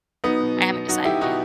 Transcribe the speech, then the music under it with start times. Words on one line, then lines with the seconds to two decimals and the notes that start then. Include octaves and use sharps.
I haven't decided yet.
0.24 F#3 B3 D#4
0.40 B2
0.57 F#3
0.73 B2
0.88 F#3 D#4 F#4
1.05 F#3 E4 G4
1.21 B2 D#4 F#4